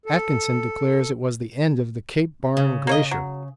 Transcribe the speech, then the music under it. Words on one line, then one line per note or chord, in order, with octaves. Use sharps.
Atkinson declares it was the end of the Cape Barne Glacier.
A4
C#3
A#3 C#5 D#5
F#3